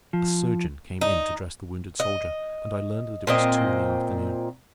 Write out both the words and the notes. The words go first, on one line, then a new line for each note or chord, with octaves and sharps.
A surgeon came in to dress the wounded soldier, and I learned that it was two in the afternoon.
F3
D#4
D#5
A#2 C4 D#5